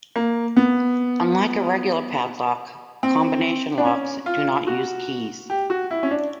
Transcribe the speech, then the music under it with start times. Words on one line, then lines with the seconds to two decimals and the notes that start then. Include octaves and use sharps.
Unlike a regular padlock, combination locks do not use keys.
0.16 A#3
0.57 B3
3.03 C4
3.78 D4
3.85 C#4
4.26 F4
4.67 F#4
5.50 G4
5.70 F#4
5.91 E4
6.03 C#4
6.11 D4